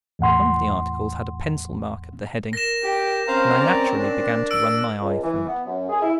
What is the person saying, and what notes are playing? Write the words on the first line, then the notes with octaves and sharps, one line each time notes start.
One of the articles had a pencil mark at the heading, and I naturally began to run my eye through it.
E2 A2 F#5 C6
A#4 A#6 E7
G4 G5
C4 C#4 C5 F5 A#5
A#4 D5 A#5
D4
E6 D7
C#2
E3
B3
F#2
G#4
E4